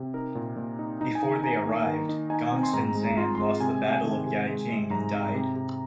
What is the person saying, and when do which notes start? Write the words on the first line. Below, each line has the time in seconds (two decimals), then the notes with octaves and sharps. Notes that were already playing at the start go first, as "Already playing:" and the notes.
Before they arrived, Gongsun Zan lost the Battle of Yijing and died.
Already playing: C3
0.14 D#4 A#4
0.35 A#2
0.56 A#2
0.79 D#4
1.01 D#4
1.15 G#5
1.22 D#3
1.44 D#4 A#5
1.65 A#3
1.86 D#3
2.09 D#4
2.30 D#4 G#5
2.52 C4
2.63 C6
2.73 G#2 A#5
2.95 G#3
3.17 F4 C6
3.35 G#3 C6
3.60 C3 G#5
3.82 C3
4.04 D#3
4.26 C3
4.47 G#3
4.69 G#3
4.90 G#2 A#5
5.12 G#2
5.34 C3
5.56 C3